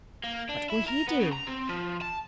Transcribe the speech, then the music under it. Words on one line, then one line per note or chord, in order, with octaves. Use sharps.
"What will he do?"
A#3
D4
E4
A#4
B3
C#3
A#5
C4
F3
A5